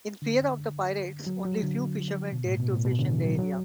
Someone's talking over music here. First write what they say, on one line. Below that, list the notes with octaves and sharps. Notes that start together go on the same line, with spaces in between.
In fear of the pirates, only few fishermen dared to fish in the area.
D3
F#3
F#3
D3
B2
A2
B2
A2
B2
D3
E3
F#3
F#3